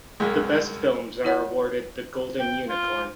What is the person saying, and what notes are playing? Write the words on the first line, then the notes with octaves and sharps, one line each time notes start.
The best films are awarded the "Golden Unicorn".
C2 F#2 G#3
E4 C#5 F#5
G5
F4